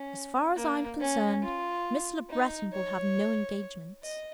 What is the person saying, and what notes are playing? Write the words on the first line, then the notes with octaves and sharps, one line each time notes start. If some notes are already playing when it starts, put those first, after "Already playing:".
"As far as I am concerned, Miss Le Breton will have no engagements."
Already playing: C#4
A#3
C#4
F4
D#4
C#5
D#5